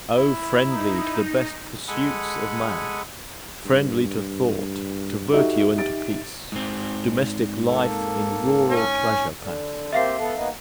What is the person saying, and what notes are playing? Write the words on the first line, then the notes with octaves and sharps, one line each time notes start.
"O friendly to the best pursuits of man, Friendly to thought, to virtue, and to peace, Domestic life in rural pleasure pass'd."
E4
D#4
G#3 A4 F#5 G#5 B5 D#6
G2
D#4 F#4 G4 A4 E5
G4 A6 D7
G#2 C4
A#3 A4
C#4 G#5
D3
A#3 C4 G4 E5 F5 C7
B3 A4
A#3 B3 D#4